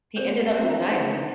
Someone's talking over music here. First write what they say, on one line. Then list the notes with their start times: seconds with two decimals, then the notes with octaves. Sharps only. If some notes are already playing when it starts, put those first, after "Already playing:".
he ended up resigning.
0.16 C4 C5
0.56 C4 D4 A4 C5 D#5 E5
0.69 D#5 A5 A#5
0.89 D#4 B4 C5 F#5 A5
1.11 C5